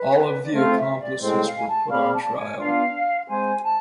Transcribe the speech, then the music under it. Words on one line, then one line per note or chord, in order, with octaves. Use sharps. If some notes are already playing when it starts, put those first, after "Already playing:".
All of the accomplices were put on trial.
Already playing: B4
D5
A3 C4 F4 C5
E5
D5
A2 G#3 C4 C5
F5
G#5
A5
C4 G#4 D5 F5 B5
A5
G#5
B3 D4 F4 F5
G#3 C4 G#4 C5 G#5
A5